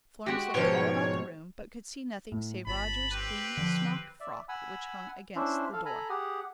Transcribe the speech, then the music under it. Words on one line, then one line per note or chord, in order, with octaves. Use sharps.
Florence looked all about the room, but could see nothing save Roger's clean smock frock which hung against the door.
G#3 F#4 G4
G#2 B2 F3 C#5
A2
G1 A5 B5
C4 G4 B4
D3 F3
D5 E5
F#5 G#5 B5 E6
C#4 D4 E4 C5 E5
A4 F5
A4 G#5 A#5 B5
G4 G#4 F#5